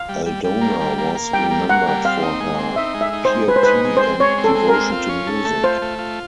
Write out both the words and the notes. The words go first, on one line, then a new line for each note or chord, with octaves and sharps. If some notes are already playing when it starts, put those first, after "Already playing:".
Aldona was remembered for her piety and devotion to music.
Already playing: F5
G3
G3
G3
A#3
G3
A#3
A#3
G3 G5
A#3
A#3 F#5
G3
C4 F5
D#4
G#3
C4
D#4 E5
G#3
E5
D#4
C5
G#3
G#3 B4
C5
B4
D#4
G#3
C5
C4
G#3 C#5
C4
A4
G#3
A#4
C4
F4
C#4
A4
A3
F4 C5
A3
F4